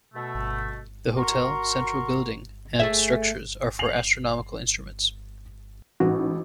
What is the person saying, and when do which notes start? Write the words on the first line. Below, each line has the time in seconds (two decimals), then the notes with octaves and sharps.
The hotel, central building and structures are for astronomical instruments.
0.14 B2 A3
1.17 F#4 A#4 A#5 C6 C#6
2.79 A3 G#4 E5
3.79 C7 F7 F#7
6.00 A1 G#2 F#4